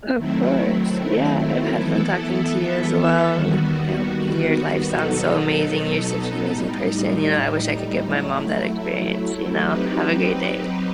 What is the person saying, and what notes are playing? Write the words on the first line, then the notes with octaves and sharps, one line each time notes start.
Of course, yeah, I've had fun talking to you as well. Yup, your life sounds so amazing, you're such an amazing person. You know, I wish I could give my mom that experience, you know? Have a great day.
D#3 F#3 A3 C4 E4
E3 B3 E4 A4
D#2 D#3 G3 B3 F#4
B2 F#3 B3 D#4 A4
A2 G3 D#4
F#3 A3 E4
F#3 C4 D#4 G4 B4